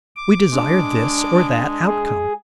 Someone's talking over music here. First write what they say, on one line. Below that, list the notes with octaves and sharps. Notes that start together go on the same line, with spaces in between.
We desire this or that outcome.
D6
G#3 D4
G#4